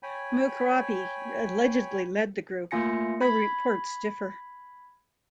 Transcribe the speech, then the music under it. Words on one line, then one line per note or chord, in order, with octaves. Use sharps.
Mughrabi allegedly led the group, though reports differ.
C#5 G5 G#5 B5
A3 A#3 F4 G#5 A#6 C#7
B5 G#6 B6